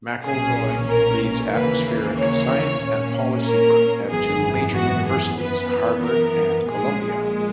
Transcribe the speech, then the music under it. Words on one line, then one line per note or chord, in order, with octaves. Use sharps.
McElroy leads atmospheric science and policy work at two major universities, Harvard and Columbia.
B1 A#2 A#3 C#4 G#4
A#4
D#2 C#3 E3 A#3 B4
C#5
A#2 A#3 C#4
A#4
G#1 F#2 E3 B3 G#4
F#4
G#4
F#2 E3 B3 B4
A#4
A#1 A#2 G#3 G#4